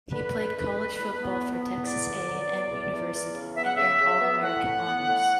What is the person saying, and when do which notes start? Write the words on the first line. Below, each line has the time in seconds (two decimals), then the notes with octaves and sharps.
He played college football for Texas A and M University, and earned All-American honors.
0.12 D3 B4
0.33 D3
0.55 D3
0.76 G3
0.98 E2
1.20 B3
1.41 E2
1.63 B3
1.84 E2 D5
2.05 D3
2.27 F#3
2.49 E2
2.70 E2
2.91 E2
3.13 E2
3.34 C#3
3.55 B3 E5
3.65 F#5
3.75 C#3 E5
3.99 C#3
4.20 B3
4.42 A2 F#5
4.64 A2
4.85 B3
5.07 A2